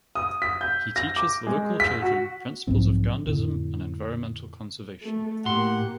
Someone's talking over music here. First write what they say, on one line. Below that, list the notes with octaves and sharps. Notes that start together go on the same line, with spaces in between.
He teaches the local children principles of Gandhism and environmental conservation.
D#6
B6
G6
A#6
D6
G#3
B6
F#4
B1 G#2 F3 C4
F2 A2 D3
A3
A2 A#3 G4 F#5 C6